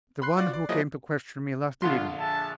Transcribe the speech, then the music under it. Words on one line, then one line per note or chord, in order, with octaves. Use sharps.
"The one who came to question me last evening."
B5 C6 F#6 C7
F4 F#4 D5
D5
F3 F#3 A#3 E4 G#4 D#5
A#1 D3 F4 C6
G#4 E5 A5